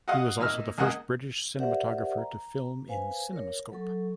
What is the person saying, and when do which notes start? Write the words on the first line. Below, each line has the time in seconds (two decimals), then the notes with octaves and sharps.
He was also the first British cinematographer to film in CinemaScope.
0.08 F#4 D#5 F5 F#5 D#6
0.39 A#2 D#4 E6 F6
0.78 C#2 A#3 G#4 D#5 F#5
1.59 G4 A#4 C5 D5 E5 F#5
2.18 A#5
2.88 B4 C5 F5 G#5
3.33 A#4 C#5
3.72 F#3 A4 C#6